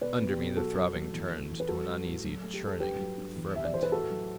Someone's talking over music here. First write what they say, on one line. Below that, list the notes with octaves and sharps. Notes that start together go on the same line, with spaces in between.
Under me, the throbbing turned to an uneasy churning, a ferment.
B2 B4 D5
B2
G4
B2
F#3 F#4 A4
F#3
A3
E2
E3
E2
B4
G3 F#4 A4
G3
A2
F#3
A3
G4
A3
A4
G2 G4 B4
F#3
G2
E2
B2 E5
D5
E2 C5
B4
A2 F#4 A4
F#3